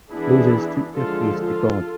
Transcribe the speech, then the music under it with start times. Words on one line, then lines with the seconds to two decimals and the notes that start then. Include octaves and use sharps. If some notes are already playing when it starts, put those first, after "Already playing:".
Moses took their case to God.
0.11 E3 B3 D4 E4 G#4
0.95 D3 F3 G#3 F4 A4
1.36 F4 A4